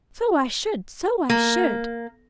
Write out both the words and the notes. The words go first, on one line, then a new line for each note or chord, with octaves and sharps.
So I should! so I should!
A#3